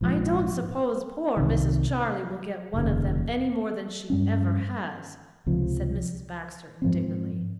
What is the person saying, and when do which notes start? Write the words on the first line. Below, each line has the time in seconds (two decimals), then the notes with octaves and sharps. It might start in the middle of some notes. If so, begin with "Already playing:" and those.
"I don't suppose poor Mrs. Charley will get one of them any more than she ever has," said Mrs. Baxter indignantly.
0.01 A#1 G#2 F3
1.37 C2 C3 D#3
2.74 F1 D#2 C#3
4.10 G2 G3 C#4
5.46 C#2 C3 F3
6.82 G#2 F3 C4